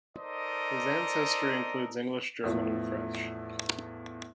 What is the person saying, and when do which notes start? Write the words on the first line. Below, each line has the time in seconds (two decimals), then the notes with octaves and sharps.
His ancestry includes English, German, and French.
0.18 D#4 A4 A#4 C5 D5 D#5
2.43 E2 A2 E3 F3